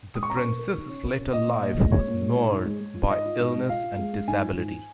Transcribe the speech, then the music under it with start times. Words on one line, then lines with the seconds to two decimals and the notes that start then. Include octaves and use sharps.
The Princess's later life was marred by illness and disability.
0.15 G#3 D#6
0.23 C#6
0.30 C#4 A#5
0.37 C#6
0.45 A#4
0.59 A#4
0.74 D#3
0.89 C#4
1.03 A#4
1.18 C#4
1.33 A#2 D#5
1.47 A#2
1.63 A#2
1.77 G#3
1.92 A#2 C#5
2.07 A#2
2.22 G#3
2.36 D#4
2.51 G#2
2.66 G#3
2.81 G#3
2.95 F4
3.10 G#2 D#5
3.25 F4
3.39 G#2
3.54 G#3
3.69 F4 F5
3.84 F4
3.99 G#3
4.13 G#3
4.28 G#2 G#5
4.43 F4
4.58 G#2